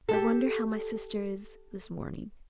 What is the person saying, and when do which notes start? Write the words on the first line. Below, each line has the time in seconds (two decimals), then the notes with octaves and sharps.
'I wonder how my sister is this morning.'
0.09 G4 A4